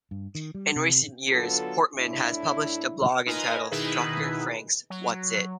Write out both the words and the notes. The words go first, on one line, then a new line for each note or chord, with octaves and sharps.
In recent years Portman has published a blog entitled Doctor Frank's What's-It.
G2
D#3
G3
C3
D3 F#3 B3 F4 A4
A2 D4 E4
D#4 F4 A#4 B4 D#5 G#5
B2 D#3 D#4 E4 G#4 B4
F#3